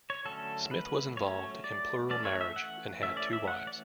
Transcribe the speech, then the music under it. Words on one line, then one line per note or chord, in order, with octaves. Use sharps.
Smith was involved in plural marriage and had two wives.
C#5
D3 F#3 A3 C#4 A4
B4
F#3 A3 C#4 C#5
D5
E3 A3 C#4 D5
C#5
E5
F#5
E3 A3 C#4 E5
D5
E5
F#5
D5